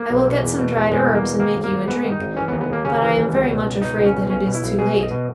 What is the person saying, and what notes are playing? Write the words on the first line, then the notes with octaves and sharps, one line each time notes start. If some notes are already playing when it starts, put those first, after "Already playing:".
'I will get some dried herbs and make you a drink, but I am very much afraid that it is too late.
Already playing: A#3
B1
B2
E2
B2
E2
B2 G#3
E2
A#3
B2
D#3 A#3
G#1
A#3
G#1
G#2 B3
D#3
D#4
G#1
E3 C#4
B3
D#2
B3
D#2 A#3
C#3 C#4
E3
D#2
C#2
B2
C#2
B2 D#4
C#2
C#4
B2
B1 C#4
B2
E4
B1
B2 G#4
B1
D#5
B2